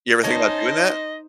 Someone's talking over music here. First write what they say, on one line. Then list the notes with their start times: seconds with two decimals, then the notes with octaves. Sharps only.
You ever think about doing that?
0.24 C#4 D#4 C5 D#5 A5